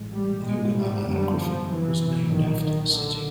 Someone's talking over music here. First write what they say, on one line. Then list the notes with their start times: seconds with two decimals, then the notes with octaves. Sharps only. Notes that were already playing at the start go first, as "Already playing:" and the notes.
The Ogallala Aquifer was named after the city.
Already playing: A1 A2 E3 G#3
0.11 G3
0.43 G#3
0.74 G3
1.05 F#2 D3 F#3 G3 B3 D4
1.36 F3
1.67 E3
2.29 B1 A#2 D#3 F#3 A#3 D4
2.61 D#3
2.92 D3